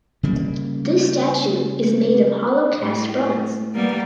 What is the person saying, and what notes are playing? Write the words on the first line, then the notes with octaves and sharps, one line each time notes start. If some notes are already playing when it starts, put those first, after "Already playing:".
This statue is made of hollow cast bronze.
C#3 G3 A#3
A2
G3 A#3 B3